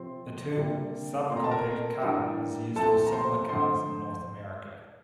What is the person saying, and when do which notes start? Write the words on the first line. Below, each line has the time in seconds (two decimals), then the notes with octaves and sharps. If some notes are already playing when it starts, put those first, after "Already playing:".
The term subcompact car is used for similar cars in North America.
Already playing: C3 F3 C4 C5 C6
0.57 C3 G3 A#3 D4
1.30 A#2 A3 C4 C6
1.37 A#5
1.44 A5
1.51 A#4 A#5
2.03 A2 E3 G3 D4
2.76 C2 A#2 F3 A3 C4 A4 A5
3.07 A#5
3.12 C5 C6
3.48 F2 D3 A3 C5 C6